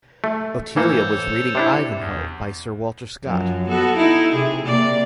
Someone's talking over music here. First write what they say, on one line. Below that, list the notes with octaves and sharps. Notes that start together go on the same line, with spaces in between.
Otelia was reading "Ivanhoe" by Sir Walter Scott.
A3
A2 E3 A#3 A4 C5 C#5
C3 D4 E4
E2
F#2 F3 F#3
B3 F#4 A4
D#4 E4
C3 G#4
C3 A#3 D5